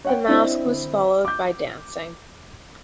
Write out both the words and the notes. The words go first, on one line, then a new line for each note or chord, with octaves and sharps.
The masque was followed by dancing.
C#5 F#5 G5
C4 D4 E4 D#5 E5
D6 G6